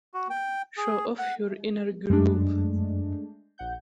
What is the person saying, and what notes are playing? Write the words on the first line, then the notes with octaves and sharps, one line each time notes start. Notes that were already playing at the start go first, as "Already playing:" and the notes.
Show off your inner groove.
F#4
G5
G#4
F#5
F#2 G#3 A3 D4
A#1 F#5 G6